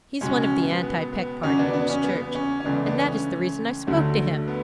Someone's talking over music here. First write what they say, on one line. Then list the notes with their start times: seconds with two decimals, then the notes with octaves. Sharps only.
He's one of the anti-Peck party in his church, and that is the reason I spoke to him.
0.21 C#2 B2 G#3 C#4
0.42 C#4
0.63 B3
0.83 B3
1.13 B3
1.43 E2 C#3 F#3 C#4
1.59 B3 D4
1.73 B3 D4
1.89 C#4
2.04 B3
2.22 B3
2.35 C#4
2.60 C#4
2.65 C#2 C#3 E3 A3 B3 D4
2.86 B3 D4
3.06 C#4
3.87 D2 D3 F#3 A3
4.48 B3